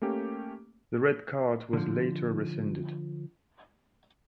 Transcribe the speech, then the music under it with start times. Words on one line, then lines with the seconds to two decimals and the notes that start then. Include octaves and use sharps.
The red card was later rescinded.
0.02 A3 A#3 C#4 G4
1.73 D3 F3